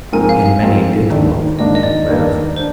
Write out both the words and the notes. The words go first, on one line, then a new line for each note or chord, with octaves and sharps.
And many did look and live.
G#2 F3 C4 F4 A#4 G#5
F5
F5
G#2 F3 C4 F4 A#4
G#1 G#2 D#3 A#3 D4
G#1 G#2 D#3 A#3 D4 D#5
D#5
D5
G2 D#3 A#3 D4
D4 C5